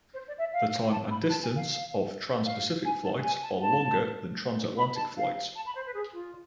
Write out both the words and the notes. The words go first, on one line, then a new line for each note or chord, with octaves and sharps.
The time and distance of transpacific flights are longer than transatlantic flights.
C5
D5
E5
F5
A5
B5
A5
G#5
F5
F5
G#5
A5
G#5
A5
A5
B5
A5
F5
A5
B5
C5
B4
G#4
F4